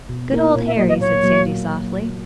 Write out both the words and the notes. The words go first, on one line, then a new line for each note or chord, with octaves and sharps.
'Good old Harry,' said Sandy softly.
B2
A#3 E4 A#4
A#2 C#5
E5
F#3 A#3 D#5
D#5
A#2 C#5
F#3 A#3
A#2